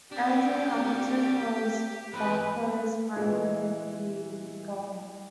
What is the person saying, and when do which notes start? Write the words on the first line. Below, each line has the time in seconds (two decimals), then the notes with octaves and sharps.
Andrew Hamilton was Barclay's final deputy governor.
0.12 C4 D4 G4
2.13 G2 E3 B4
3.16 A#2 E3 G3 G#3